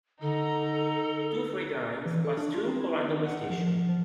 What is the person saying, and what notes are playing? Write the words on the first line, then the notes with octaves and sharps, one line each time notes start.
Two freight lines passed through or under the station.
D3 D#4 A4 A#5
E3
A4
D4
F4
C4
E4
B3
D#3
F#5
F3
F3
F3